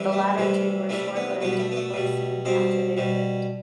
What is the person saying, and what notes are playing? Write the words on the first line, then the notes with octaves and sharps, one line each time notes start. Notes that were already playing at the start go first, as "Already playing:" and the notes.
The latter two were short-lived and closed soon after they opened.
Already playing: C3 E3 G3
A3
C3 E3 G3
C3 E3 G3 A3
B3
B2 G3 B3
G3
A3
B3
A3
B2 G3
B2 G3 C4
B2 G3